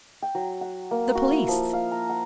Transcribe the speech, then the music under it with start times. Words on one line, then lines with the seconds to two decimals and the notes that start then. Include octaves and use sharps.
"The police."
0.22 G5
0.35 F#3
0.61 F#5
0.91 A#3
1.15 F#4
1.31 E4
1.48 F3
1.73 F5
1.92 A#5
2.09 F#5